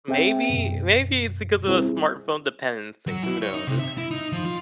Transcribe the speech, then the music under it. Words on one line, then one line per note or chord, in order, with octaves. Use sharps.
Maybe maybe it's because of the smartphone dependency, who knows?
C4 G#4 E5 G5
F#2 B2
G3 C4 E4 G#4
F#3
E4
C#5
D#4
C3
E5
E4
D#4
F3
F4